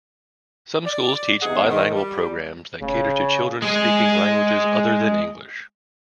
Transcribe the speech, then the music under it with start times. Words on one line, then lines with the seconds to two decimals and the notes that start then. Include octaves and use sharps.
Some schools teach bilingual programs that cater to children speaking languages other than English.
0.86 D5
1.41 E2 G2 C3 D#4 G#4 F#5
1.68 D#3
1.94 G3
2.81 F1 C#3
3.62 G#3 G#4